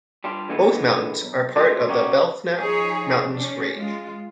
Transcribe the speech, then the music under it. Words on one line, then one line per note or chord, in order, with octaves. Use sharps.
Both mountains are part of the Belknap Mountains range.
G3 D4 F4
E2 A#2 D3 E3 G#3 B3
B1
F#3 G#3 A3 C4 D#4 F4
C#4 D#4 F#4 G4
F3 D#4 G#4 C#5
C#4 D4
G#3 F4